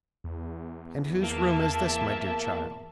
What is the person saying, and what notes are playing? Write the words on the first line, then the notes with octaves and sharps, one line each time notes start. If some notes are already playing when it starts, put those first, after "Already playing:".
"And whose room is this, my dear child?"
E2
A#3 E5 A5